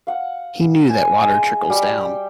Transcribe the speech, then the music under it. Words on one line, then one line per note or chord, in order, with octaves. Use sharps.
He knew that water trickles down.
F5 F#5
G#5
G#3 D#5
G3 G4 G5